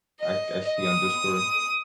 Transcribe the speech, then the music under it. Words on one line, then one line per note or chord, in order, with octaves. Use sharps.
I c I see on Discord.
D#5
D#6